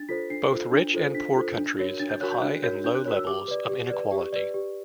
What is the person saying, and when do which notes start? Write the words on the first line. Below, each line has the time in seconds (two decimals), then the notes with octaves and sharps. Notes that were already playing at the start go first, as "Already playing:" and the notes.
But both rich and poor countries have high and low levels of inequality.
Already playing: D4 A6
0.09 F4 A4 C5 B6
0.30 D4 C7
0.51 F4 A4 C5
0.72 D4
0.94 F4 A4 C5
1.15 D4 B6
1.36 F4 A4 C5
1.57 D4
1.79 F#4 A#4 C#5
1.99 D4 A6
2.10 G6
2.21 F#4 A#4 C#5 F#6
2.32 G6
2.42 D4 F#6
2.63 F#4 A#4 C#5 G6
2.84 D4 G6
2.95 F#6
3.05 F#4 A#4 C#5 F#6
3.17 E6
3.27 G4 D6
3.48 B4 D5
3.69 G4
3.90 B4 D5
4.12 G4
4.33 B4 D5
4.54 G4